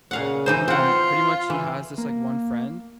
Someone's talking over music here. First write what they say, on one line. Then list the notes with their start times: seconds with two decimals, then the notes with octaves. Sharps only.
um, pretty much he has this like one friend.
0.11 A#2 C#3 F5 F#5
0.46 E3 D#4 C5
0.68 C4 F4 F#5
1.50 E3
1.98 A#3